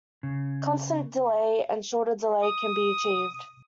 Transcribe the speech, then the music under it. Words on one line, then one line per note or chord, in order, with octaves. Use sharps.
Constant delay, and shorter delay, can be achieved.
C#3
D#6